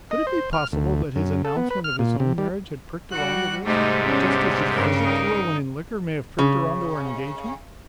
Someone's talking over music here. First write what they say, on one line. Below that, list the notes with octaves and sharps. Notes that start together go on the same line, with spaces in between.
Could it be possible that his announcement of his own marriage had pricked her on to this, just as his visit to her when in liquor may have pricked her on to her engagement?
D#5
C5
F6
D2
F#2
A4
B3
B4
F6
A#2
C3
G3
G3 F#4 F#6
G#2 C3 G3 A3 D#4
E2 C#4 D4
G2 C#3 A#4
D#4
C#3